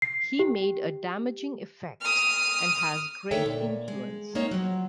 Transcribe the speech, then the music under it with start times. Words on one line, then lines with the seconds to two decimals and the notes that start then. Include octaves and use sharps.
He made a damaging effect, and has great influence.
0.02 C7
0.39 G4
2.01 D#6 F6
3.31 D3 D#3 A4 C#5 E5 G5
3.46 A#2
3.88 G#3
4.35 A3 A#3 C4 D#4 C#5
4.51 F3 F#3